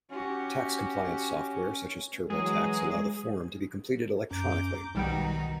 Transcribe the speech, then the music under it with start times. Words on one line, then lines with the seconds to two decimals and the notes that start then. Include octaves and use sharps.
Tax compliance software such as TurboTax allow the form to be completed electronically.
0.10 C#4 F#4 G4
2.30 E3 F#3 G#3 G#4
4.31 F#2 C#4 A#5 D6 G6
4.95 B1 G#2 B2 D#3 G3 D#4 F#4 G5